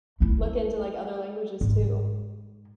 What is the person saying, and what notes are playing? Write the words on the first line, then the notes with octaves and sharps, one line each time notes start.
look into, like, other languages too.
A3 E4
G#2